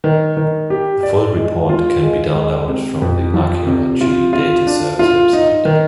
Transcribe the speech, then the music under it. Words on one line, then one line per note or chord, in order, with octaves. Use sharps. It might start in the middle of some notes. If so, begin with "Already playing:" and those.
The full report can be downloaded from the Archaeology Data Service website.
D#3
D#3
G4
D5
G#3
F4
G#3
G#3
C3
F2
F3
C3
F4
F4
D4
F4
D#4
D#3